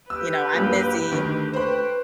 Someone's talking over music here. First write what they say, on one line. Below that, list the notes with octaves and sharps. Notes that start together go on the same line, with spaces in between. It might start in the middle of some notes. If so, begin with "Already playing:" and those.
you know, I'm busy
G4 B4 D6 E6
A#1 F#2 A#2
D2 D3 D#3
B4 C5 G5 B5 C#6